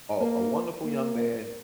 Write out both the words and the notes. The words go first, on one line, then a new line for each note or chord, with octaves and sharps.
uh, a wonderful young man,
A#3
A#3